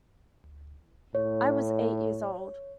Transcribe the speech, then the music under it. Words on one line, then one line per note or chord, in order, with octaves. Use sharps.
I was eight years old.
A2 C#5